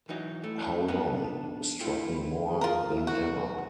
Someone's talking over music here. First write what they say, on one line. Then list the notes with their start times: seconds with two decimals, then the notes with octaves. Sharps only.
'How Long' struck me more than ever.
0.09 E3 F#3 D#4
0.44 A3 E4
0.88 F2 B3 D4 D#4
1.80 A3 C4 E4 F4
2.44 G#4
2.61 F4 A#4
2.86 E4
3.07 F#4
3.55 F#5